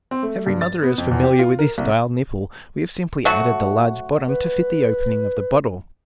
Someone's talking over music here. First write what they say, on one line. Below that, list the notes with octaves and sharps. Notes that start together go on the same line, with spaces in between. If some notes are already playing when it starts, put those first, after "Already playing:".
Every mother is familiar with this style nipple; we have simply added the large bottom to fit the opening of the bottle.
C4
A3
G2
A6
B3
F2
E2
G4
F4
A#4
C2
F#3 A3 F#4
B4